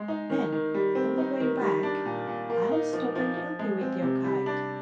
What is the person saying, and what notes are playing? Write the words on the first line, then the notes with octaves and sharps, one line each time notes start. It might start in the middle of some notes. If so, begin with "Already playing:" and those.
Then, on the way back, I'll stop and help you with your kite.
Already playing: G#3
D#4
D#3
D#3
G3
C4
D#4
D#3
G3
D4
A#2
A#2
A#3
D#4
F3
F3
F3
G#3
C4
C3
G3
D4